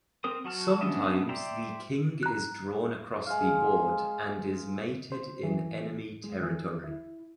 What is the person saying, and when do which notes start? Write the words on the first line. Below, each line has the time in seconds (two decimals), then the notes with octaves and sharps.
Sometimes the king is drawn across the board and is mated in enemy territory.
0.24 C4 A#4 C5 D#6
0.45 F#3 F#4 A5 F6
0.81 B3 C#4 D4 D#5 E5
1.29 C5 D5 E5 G5 A#5
2.23 A#5 F#6
3.26 G#3 F5
5.12 C5
5.43 E3
6.24 G#3
6.41 E3
6.84 E4